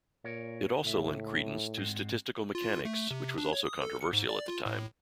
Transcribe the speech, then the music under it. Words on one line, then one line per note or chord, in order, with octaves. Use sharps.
It also lent credence to statistical mechanics, which was also controversial at the time.
A#2 A#4 C#5
C#2 A2 E5
G#2 G#3 C4
F4
A3
C3
D4
C#5
D#6
A4
C#7
G#2
D5
F4
A2